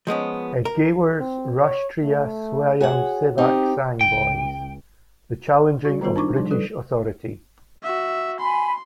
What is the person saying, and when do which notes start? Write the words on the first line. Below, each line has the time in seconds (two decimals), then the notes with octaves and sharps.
Hedgewar's Rashtriya Swayamsevak Sangh boys; the challenging of British authority.
0.07 F3 G#3 B3 C#4
0.65 A#4
1.20 C4
1.61 C#5
2.03 A3
2.81 F#4 G#4 C#5 F#5
3.38 C4 D#4 G4
4.01 C#2 G5
5.85 G3 F#4
6.01 D#3 G3 B3 F4 A#4 C5
6.16 D4 D#4 C#6 D6
6.35 D3 F3 G3
6.50 G3 A4 B4
7.83 F#4 E5
8.40 G#5 B5 C6